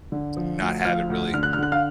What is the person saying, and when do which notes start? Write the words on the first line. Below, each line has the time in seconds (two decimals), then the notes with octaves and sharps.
not have it really
0.12 D3
0.37 F3
0.61 D2
0.85 F3 F5 F6
1.10 D2
1.34 D3 F6
1.43 F#6
1.53 F6
1.59 D3 F#6
1.72 F5 F6